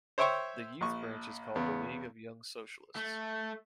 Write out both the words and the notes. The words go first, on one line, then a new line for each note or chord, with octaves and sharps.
The youth branch is called the League of Young Socialists.
C5 C#5 E5 G5 C6 C#6
A#1 C#6
E2 C#3 B3
A3